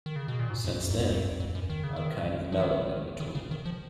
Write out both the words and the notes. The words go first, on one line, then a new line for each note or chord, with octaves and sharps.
Since then, I've kind of mellowed in between.
D#3
C#3
B2
A#2
G#2
F#2
F#2
G#2
F#2
F2
F2
F#2
D#3
C#3
D#3
F3
D#3
D#3
C#3
D#3
F3